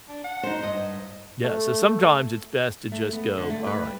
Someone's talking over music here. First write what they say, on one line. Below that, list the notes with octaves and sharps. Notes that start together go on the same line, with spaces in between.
yeah, so sometimes it's best to just go, "Alright."
D4
F#5
D#4 C5
G2 D#5
A3
A3
B3
D3
A3
B4
G3